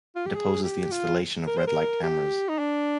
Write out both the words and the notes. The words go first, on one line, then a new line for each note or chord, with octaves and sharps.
It opposes the installation of red light cameras.
F4
G4
G#4
G4
F4
A#4
C5
A#4
G4
D#4
D4